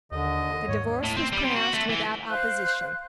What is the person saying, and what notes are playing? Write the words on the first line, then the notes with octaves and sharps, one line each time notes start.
The divorce was pronounced without opposition.
D#2 D3 D#5
G#2 C#5
A2
C4
G3
C3
F#4
A3
E3
C5 F5 F#6